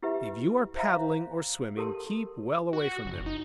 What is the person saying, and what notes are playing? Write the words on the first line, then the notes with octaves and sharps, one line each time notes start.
If you are paddling or swimming, keep well away from them.
E4 G4 B4 E5
C5 C#5 E5 F5 A#5
G4 A4 A#4 A5 C6
F#4
F#1
D#4